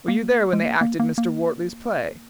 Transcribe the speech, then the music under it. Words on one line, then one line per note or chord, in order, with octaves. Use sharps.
Were you there when they acted Mr. Wortley's play?
A#3
G#3
A#3
A#3
A#3
A#3